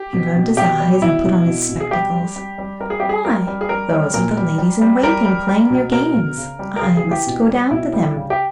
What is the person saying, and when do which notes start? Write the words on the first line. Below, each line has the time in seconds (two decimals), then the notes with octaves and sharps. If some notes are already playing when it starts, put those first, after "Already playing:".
He rubbed his eyes and put on his spectacles. 'Why those are the ladies-in-waiting playing their games; I must go down to them.'
Already playing: G4
0.13 B2
0.36 B2
0.57 B2 G4
0.80 G3
1.02 B2 E4
1.25 B2
1.47 B2
1.69 B2
1.81 G#4
1.91 G3 G4
2.14 G3
2.36 G3
2.58 G3
2.80 G3 A#4
2.90 G#4
3.00 G3 G4
3.09 G#4
3.25 G3 A#4
3.47 G3
3.61 G#4
3.69 G3 A#4
3.92 G3
4.14 A#2 A#4
4.37 G3
4.58 G3
4.81 G3
5.03 G3 A#4
5.25 G3
5.48 G3
5.70 B2
5.92 B2 A#4
6.15 B2
6.37 C#3
6.59 G3
6.76 A#4
6.82 C#3 G#4
6.97 G#4
7.04 E3
7.11 G4
7.27 B2
7.49 G3
7.71 B2 E4
7.93 G3
8.16 C#3
8.30 G4